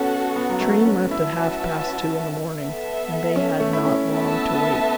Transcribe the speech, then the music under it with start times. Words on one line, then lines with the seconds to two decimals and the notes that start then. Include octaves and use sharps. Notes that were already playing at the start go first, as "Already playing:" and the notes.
The train left at half past two in the morning, and they had not long to wait.
Already playing: B3 C#4 F#4 A4 F#5
0.36 B3
0.49 F#3
0.60 A3
0.86 C#4
1.11 C#4 E4 F#4 B4 E5 A5
2.60 B3 A4 E5
3.36 C#4
3.60 A3
3.73 E4
3.85 C#4
4.10 B3 A4 E5 A5